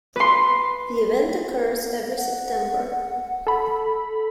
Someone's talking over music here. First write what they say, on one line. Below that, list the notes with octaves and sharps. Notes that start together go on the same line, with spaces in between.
The event occurs every September.
B4 C6
F#5
A4 B5